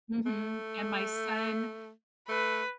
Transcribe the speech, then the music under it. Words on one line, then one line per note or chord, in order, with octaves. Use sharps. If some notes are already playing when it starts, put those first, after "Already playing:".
Mhm, and my son
A3
A3 B4